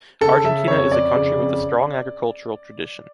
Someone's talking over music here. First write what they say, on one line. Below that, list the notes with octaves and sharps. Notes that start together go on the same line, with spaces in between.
Argentina is a country with a strong agricultural tradition.
C#3 A4
C#3 E5
F2 C#5
F2 D5
C#3
F2